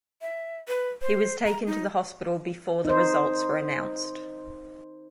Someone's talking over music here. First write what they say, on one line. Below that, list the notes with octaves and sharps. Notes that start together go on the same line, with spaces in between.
He was taken to the hospital before the results were announced.
E5
B4
C5
A#5
D#4
D#4 C5